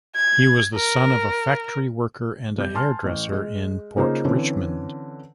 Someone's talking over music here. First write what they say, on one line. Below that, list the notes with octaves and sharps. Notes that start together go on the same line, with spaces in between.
He was the son of a factory worker and a hairdresser in Port Richmond.
G#6
A#4
G3 G6
G#5 A5 C6 F6
A1
G#3
C#3 A#3 D#4 F4 G#4 C5
D3 E3 C4 C#4